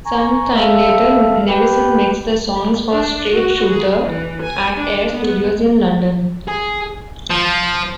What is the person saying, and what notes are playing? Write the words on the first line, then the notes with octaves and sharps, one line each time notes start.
Sometime later Nevison mixed the songs for "Straight Shooter" at Air Studios in London.
G#5 A#5 C#6
G3 A4 E5 F5
G4 B4
D4
F#4
G#4
E3
G#5
D4
B3
G#4
F3